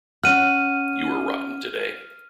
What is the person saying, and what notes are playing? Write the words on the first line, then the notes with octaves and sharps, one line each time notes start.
You were rotten today.
C#4 F#5 F6 D#7